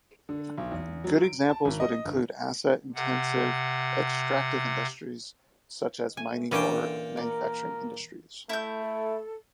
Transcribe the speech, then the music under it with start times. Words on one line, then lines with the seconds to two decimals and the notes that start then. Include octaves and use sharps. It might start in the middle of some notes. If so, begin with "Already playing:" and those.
Good examples would include asset-intensive extractive industries such as mining, or manufacturing industries.
0.29 D3
0.58 B1
0.71 E2
1.04 F#3
1.23 D7
1.49 A5
1.65 G#1
1.80 D#5
2.05 G1
2.95 C3 F#5
6.17 A3 G#5
6.52 A#2 D3 E3 C#4 D4 G5
7.17 A#4 D5
8.49 A3 E4 G6
8.82 A4